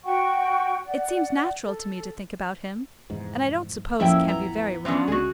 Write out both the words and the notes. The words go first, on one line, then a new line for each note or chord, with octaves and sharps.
It seems natural to me to think about him, and I don't suppose it can be very wrong.
F#4 F#5 G5 C#6
D5 F#5
A4
F1 E2 G#2
A1 F2 F3 A#3 C#4 E4 E5 G5
B3 A#5
E3 F3 B3 C#4 D4
C#2 D3 G#3 F#4 G#4